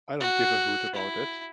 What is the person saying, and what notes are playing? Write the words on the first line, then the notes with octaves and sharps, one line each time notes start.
I don't give a hoot about it.
F#4
E4